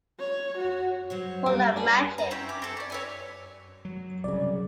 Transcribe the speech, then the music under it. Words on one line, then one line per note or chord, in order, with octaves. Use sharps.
Full of magic.
C#5
F#4
F#3 C5 C#5
G3 A#3
D4 G#4 B4
A#5
C4 C#4 E4 G4
D6
C4 A4
C#4 D5
C#5 E5 G#5
F#3
C2 C#3 D5